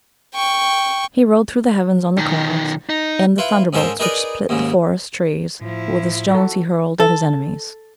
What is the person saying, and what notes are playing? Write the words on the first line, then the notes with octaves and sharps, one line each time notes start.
He rode through the heavens on the clouds, and the thunderbolts which split the forest trees were the stones he hurled at his enemies.
G5 C#6
B1 D#3
D#4
E4 F4 B4
G#2 C#4 A4 A#4 C5 C#5
D#4 G#4 A#4 B4 D5 D#5
D#2 G#2 C#3
A2 F3 E4
F#4 A4
A4